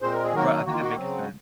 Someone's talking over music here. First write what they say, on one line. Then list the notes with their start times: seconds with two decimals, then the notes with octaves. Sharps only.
right, I think that makes sense.
0.01 A#2 G#3 C4 C5
0.13 A#4
0.24 G#4
0.33 D#3 F#3 A#3 F#4 A#4
0.65 D#3 A#3 F#4
0.73 F4
0.81 F#4
0.96 C#3 F#3 C4